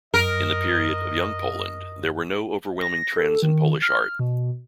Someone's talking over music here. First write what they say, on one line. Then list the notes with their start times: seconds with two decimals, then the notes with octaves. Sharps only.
In the period of Young Poland there were no overwhelming trends in Polish art.
0.14 F#2 A#4 D#5
2.81 A#6
3.17 A4
3.42 D#3
3.82 F6
4.19 B2